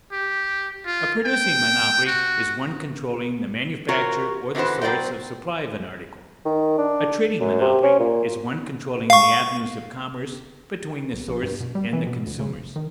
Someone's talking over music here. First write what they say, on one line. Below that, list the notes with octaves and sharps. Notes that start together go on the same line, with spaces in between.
A producing monopoly is one controlling the manufacture or the source of supply of an article; a trading monopoly is one controlling the avenues of commerce between the source and the consumers.
G4
F4
G5
F#4
F4 F#4 A#4 C#5
D3 E3 F#4 B4 C5
F#3 C5 D5 D#5 G5
D#3
D4
F#2
C3
C#4
A#2
F5 C#6
B1
A#1
G2
B2
G3
E3
B2
D2
C#3
F1
D#3